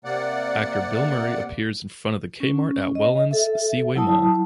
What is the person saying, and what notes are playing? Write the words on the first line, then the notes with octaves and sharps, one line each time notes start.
Actor Bill Murray appears in front of the Kmart at Welland's Seaway Mall.
C3 A#3 D5 F#5
C#4
D#5
A4 E5
F#3 E4 A5 D#6